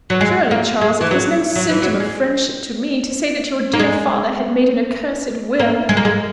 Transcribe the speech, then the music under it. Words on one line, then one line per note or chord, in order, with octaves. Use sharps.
"Surely, Charles, it was no symptom of friendship to me, to say that your dear father had made an accursed will!"
F#3
G#3
A#3
G#3
E3
F#3
F#3
E3
F#3
G#3
A#3
G#3
A#3
G#3
A#3
G#3